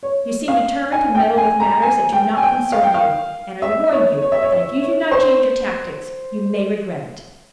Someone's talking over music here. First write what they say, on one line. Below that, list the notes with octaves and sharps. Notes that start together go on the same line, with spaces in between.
You seem determined to meddle with matters that do not concern you, and I warn you that if you do not change your tactics you may regret it.
C#5
F5
G#5
G5
G#5
A#5
G#5
G5
G#5
G5
F5
G5
F5
E5
C#5
C#5
E5
C#5
E5
C#5
C5